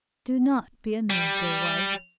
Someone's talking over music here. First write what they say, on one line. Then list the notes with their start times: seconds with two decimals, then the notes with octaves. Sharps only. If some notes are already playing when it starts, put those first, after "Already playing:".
'Do not be annoyed, dear wife.
1.10 G3